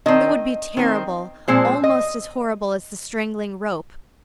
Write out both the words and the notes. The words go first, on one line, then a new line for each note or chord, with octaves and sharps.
It would be terrible--almost as horrible as the strangling rope.
D#3 C4 D#5
D#3 C4
A#2 F3 G#3 C4 C5
D#5